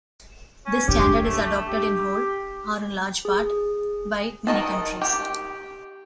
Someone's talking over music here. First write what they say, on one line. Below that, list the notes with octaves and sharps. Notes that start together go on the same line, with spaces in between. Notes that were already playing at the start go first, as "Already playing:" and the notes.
This standard is adopted in whole, or in large part, by many countries.
C#4
D4 G4
A3
G4
G#4
D#3 D#5 A5
G4